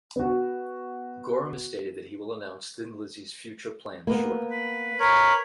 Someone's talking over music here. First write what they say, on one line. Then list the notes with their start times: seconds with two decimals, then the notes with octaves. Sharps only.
Gorham has stated that he will announce Thin Lizzy's future plans shortly.
0.16 B3 F#4
4.07 A#3 B3
4.50 B4
5.00 A#4 B4 C#5